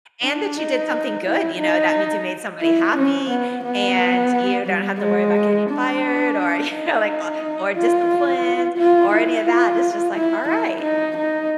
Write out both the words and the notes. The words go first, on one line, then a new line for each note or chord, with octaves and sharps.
and that you did something good, you know, that means you made somebody happy, and you don't have to worry about getting fired, or you know, like, or or disciplined, or any of that, it's just, like, all right,
D4
D#4
E4
D#4
E4
C#4
B3
B3
G3
G#3
D4
D#4
F4
F4
E4
F4
E4
E4
D#4
D#4